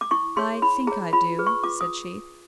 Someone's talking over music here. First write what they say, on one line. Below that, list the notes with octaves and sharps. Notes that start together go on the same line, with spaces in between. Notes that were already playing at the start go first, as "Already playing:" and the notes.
"I think I do," said she.
D6
E4 C#6
G#4 C#5 C6
E4 B5
G#4 C#5 A#5
F4 B5
G#4 B4
C#6
F4 D6
D#6